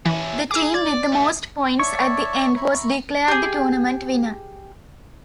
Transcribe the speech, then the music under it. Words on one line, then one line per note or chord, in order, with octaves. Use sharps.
The team with the most points at the end was declared the tournament winner.
E3 C#4 E4
G#4 D6 E6
D5 G#6
F#2 A3
C#5 D5 E5 A5 C#6
E5 A#5 B5
G4 G#4